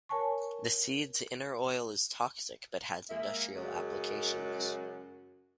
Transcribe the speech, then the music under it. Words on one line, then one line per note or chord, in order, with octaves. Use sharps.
The seed's inner oil is toxic but has industrial applications.
A#4 C#5 G#5 A5 C#6
G#3 A#3 E5
F#2 C#3 F#3 G#3